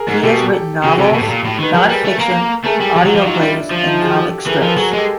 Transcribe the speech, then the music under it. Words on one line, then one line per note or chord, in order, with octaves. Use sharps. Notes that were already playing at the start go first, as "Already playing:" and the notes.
He has written novels, non-fiction, audio plays and comic scripts.
Already playing: G#4 A#4
G#2
B2 G4 A4
C#3 F#4 G#4
C3 G4 A4
B2
A2
A#2
A2
D#3 B4
F#3 G#4 A#4
G3 A4 B4
A3
A#3
A3 G#4 A#4
G3 G4 A4
F3 F4 G4
F#3
F3
F#3 D#4 F4
G3 D4 E4
F3
D#4 F4
F#4 G#4
G4 A4
E3 G#4 A#4
G#4 A#4
F3 A4 B4
F#3 G#4 A#4
G#3 G4 A4